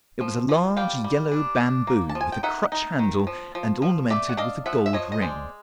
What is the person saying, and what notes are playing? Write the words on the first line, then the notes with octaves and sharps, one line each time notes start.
It was a large yellow bamboo with a crutch handle and ornamented with a gold ring.
F3
F3
G3 F5 G5
G3
D4
D4
A#3
A5
F3
G#5
G5
D#4 E5 F#5
D#4
D#3
F3
F3
F3
A3 D5 E5
F#5
D4 D#5 F5
F3 E5 F#5
E5
F3 C#5 D#5
D#5
G#3 C5 D5